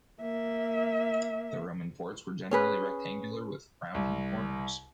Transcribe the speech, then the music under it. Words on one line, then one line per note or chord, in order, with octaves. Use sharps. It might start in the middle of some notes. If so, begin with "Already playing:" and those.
The Roman forts were generally rectangular with rounded corners.
A#3 E5
C#4 G#4 B4
C2